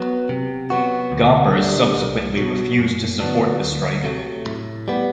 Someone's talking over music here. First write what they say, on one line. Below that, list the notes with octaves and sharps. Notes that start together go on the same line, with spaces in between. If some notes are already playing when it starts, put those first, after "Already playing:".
Gompers subsequently refused to support the strike.
Already playing: F#3 B3
C3
F#3 B3 F#4
D2
D3 G3
C2
B2 F#3
F#2
D3 F#3 B3 D4
D2
C3 F#3 A3
A2
G3 B3